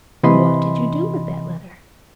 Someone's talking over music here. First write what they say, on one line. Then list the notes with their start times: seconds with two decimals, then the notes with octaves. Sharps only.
"And what did you do with that letter?"
0.23 C3 E3 D#5 B5 C6